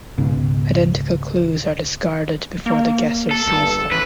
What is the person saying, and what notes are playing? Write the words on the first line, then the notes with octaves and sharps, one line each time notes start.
Identical clues are discarded before the guesser sees them.
C#2 G#2 B2
A#3
A4
G1
A1 B4